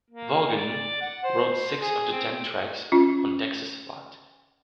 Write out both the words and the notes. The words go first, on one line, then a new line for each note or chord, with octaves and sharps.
Vaughan wrote six of the ten tracks on "Texas Flood".
A#3
D5
F#5
C5
G#4
C4
C#4 F4